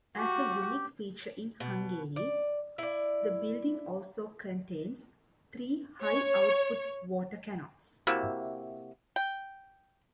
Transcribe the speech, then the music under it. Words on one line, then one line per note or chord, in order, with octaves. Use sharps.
As a unique feature in Hungary, the building also contains three high-output water cannons.
F#4 G4
B2
D5
E4 D5
C#5
C3 A#3 E4 F#4
G5